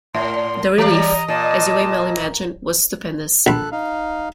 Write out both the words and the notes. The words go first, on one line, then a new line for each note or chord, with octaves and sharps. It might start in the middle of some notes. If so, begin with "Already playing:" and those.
The relief, as you may well imagine, was stupendous.
A2 C#5 E5 C6
D5
E3 G3 G4 D5 F5 A#5
E3 D#5
A#2 A5
A#1 A4 B5 F#6
D#4 F5